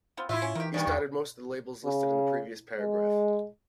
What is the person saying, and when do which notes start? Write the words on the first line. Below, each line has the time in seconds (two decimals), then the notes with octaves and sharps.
He started most of the labels listed in the previous paragraph.
0.17 B3 C4 F4
0.29 A2 E4 F4 G4 E5
0.42 C#4
0.55 D#3 E3 G4
0.74 G2 D#3 B3 G#4 D5
0.87 E2
1.85 C#3
2.77 G#3